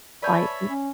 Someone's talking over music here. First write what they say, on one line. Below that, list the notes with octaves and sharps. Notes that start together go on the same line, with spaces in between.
like, m
B4 C#5 D5 E5 G#5 A5 B5 G6
C#4